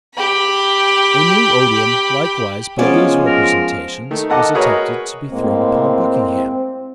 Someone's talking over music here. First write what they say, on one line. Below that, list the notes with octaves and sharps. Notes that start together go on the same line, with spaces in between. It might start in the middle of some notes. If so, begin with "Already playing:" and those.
A new odium, likewise, by these representations, was attempted to be thrown upon Buckingham.
G4 B5
F3 G#3 B3 C#4 D5
A#4
D#3 A3
A4 A#4 D#5 F#5 A5 D6
F#4 G#4 A#4 B4 C#5 D#5
A2 G#3 A#3 C4